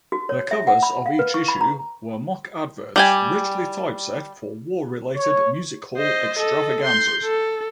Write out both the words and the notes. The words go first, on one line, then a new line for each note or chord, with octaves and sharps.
The covers of each issue were mock adverts, richly typeset, for war-related music-hall extravaganzas.
F#4
C#5
E5
F#5
B5
F5
B4
C#6
B5
A#5
G3 G4 G#5
C#5
C5 D#5
A4 D#5
C6 G6
A4